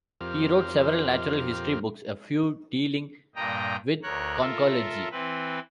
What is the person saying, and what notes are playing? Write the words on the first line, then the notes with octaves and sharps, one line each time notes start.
He wrote several natural history books, a few dealing with conchology.
F2 C4 F4 G4 A#4 F6
G2 A#2 D#5 G5 A#5
D2 A#4 C#5 F#6
F4 A4 A#4 E5
E3 C4 B4